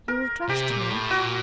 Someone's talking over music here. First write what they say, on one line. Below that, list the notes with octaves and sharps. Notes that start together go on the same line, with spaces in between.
You'll trust me?
A#4
C3 G4
A#2
A2
A#2 F#4